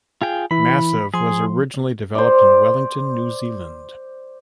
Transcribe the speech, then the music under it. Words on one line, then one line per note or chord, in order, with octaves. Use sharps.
"Massive" was originally developed in Wellington, New Zealand.
F4 G#4 G5
E3 E4 B5
F3 G#4 C6
C5 D5